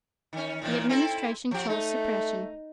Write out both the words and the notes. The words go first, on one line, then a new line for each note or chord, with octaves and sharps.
The Administration chose suppression.
D#3 C#4
A#2 D#3 E3
C4 E4 A4
F3 G4
A3 D#4